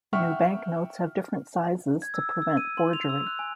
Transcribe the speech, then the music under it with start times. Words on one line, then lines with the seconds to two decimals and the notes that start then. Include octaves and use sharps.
The new banknotes have different sizes to prevent forgery.
0.13 E5 F#5 G5 C#6 F6
2.02 G#6
2.14 E6
2.29 E6
2.42 E6
2.57 D#7
2.77 C6
2.93 F7
3.09 E6
3.27 F#6
3.39 G#5